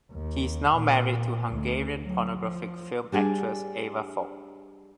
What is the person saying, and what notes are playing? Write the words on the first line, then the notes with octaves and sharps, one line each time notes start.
He is now married to Hungarian pornographic film actress Eva Falk.
D#2
A#2
D2
F#3
F3
G3 D4 G#4